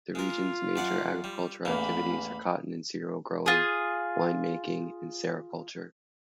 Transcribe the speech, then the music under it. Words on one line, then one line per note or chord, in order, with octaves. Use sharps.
The region's major agricultural activities are cotton and cereal growing, winemaking and sericulture.
G#3 F4 A#4
F#2 D5 F#5
G3
A1 E2 A#3 B5
F4 G#4